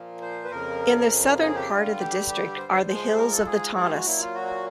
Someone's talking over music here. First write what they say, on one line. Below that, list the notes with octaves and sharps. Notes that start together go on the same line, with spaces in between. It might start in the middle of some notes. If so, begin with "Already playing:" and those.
In the southern part of the district are the hills of the Taunus.
Already playing: A#2 F3 A#3
C5
B4
F2 C#3 F3 A#3 A#4
G#4
G4
G2 D3 G3 F4
G4
G4
C5
C5
G#2 F3 G#3 C5
A#4
A4
G#4
G#4
G4
F#4
A#2 F#3 A#3 E4
F4
F#4